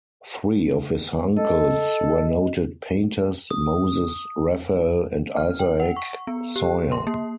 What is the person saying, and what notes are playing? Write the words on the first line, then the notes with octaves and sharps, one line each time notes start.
Three of his uncles were noted painters, Moses, Raphael, and Isaac Soyer.
A4 D#5
D#6
F6
G5
F#5
C#6
B3
G4
C6
A#3